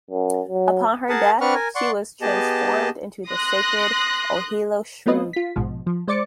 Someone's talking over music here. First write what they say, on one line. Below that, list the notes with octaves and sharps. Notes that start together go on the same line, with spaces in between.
Upon her death, she was transformed into the sacred 'Ohelo shrub.
F#2
F#3
G#4 A#4 F#5 A5
C4 D4 B4 F#5 C#6 F6
A#4 G#5
D5 F#5 C6 C#6
B3 G4 G#4 D#5 A5
C6 D#6 F#6 A#6
A3 B3 C4 F4 B4 D#5
F4 B6
A#1 G#2 B2 F3
F3
G#3 C5 D5 D6 A6 C#7